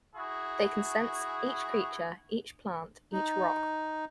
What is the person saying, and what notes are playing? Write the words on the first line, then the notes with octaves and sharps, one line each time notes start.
They can sense, each creature, each plant, each rock.
E4 F#4 G#4
D#4